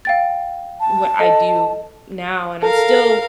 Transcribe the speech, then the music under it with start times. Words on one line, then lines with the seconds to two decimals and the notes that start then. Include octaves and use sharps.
what I do now, and I'm still
0.05 F5 G5 A6
0.80 A5
1.20 A4 D#5
2.63 A4 A#4 F5